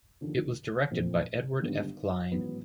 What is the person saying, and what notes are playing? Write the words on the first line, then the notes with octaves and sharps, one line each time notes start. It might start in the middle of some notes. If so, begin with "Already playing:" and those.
It was directed by Edward F. Cline.
D#2 D3 F3
A#1 A#2 F3 A3 C4
G#1 G2 D3 G3 B3
A1 G#2 D#3 F#3 B3